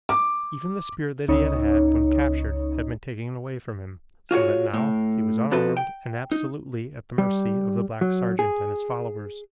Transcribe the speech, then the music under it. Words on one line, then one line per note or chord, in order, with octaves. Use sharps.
Even the spear that he had had when captured had been taken away from him, so that now he was unarmed and absolutely at the mercy of the black sergeant and his followers.
D6
C#2 D#4 C#5
F4 F#4 G#4 C#5
A2
C3 F3 F#4 A4 B4
G5
D#4
G3
F#3
G#4